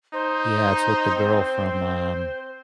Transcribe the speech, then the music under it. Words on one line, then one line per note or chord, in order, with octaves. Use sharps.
Yeah, it's with the girl from, um,
D#4 C5
C4